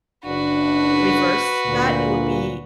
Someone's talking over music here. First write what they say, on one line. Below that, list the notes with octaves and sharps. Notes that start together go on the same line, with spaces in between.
reverse that, it would be
F#1 D4 F#4 B4
D2 A#2